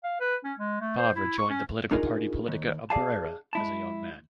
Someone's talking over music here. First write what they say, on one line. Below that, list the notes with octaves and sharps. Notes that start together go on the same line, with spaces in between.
Favre joined the political party Politica Obrera as a young man.
F5
B4
C#4
G#3
A3
C5
E4
C#6
C#4
D4 D#4 F4 G#4 A#4
D#2
G#4 D5 F5 G#5 A5
G#3 E4 A5